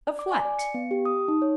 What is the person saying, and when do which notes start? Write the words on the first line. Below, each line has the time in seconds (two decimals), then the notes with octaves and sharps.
"Of what?"
0.07 D5
0.19 D6
0.32 G#5
0.45 D5
0.59 C#7
0.74 B3
0.91 G4
1.05 D#6
1.28 D#4
1.42 C#5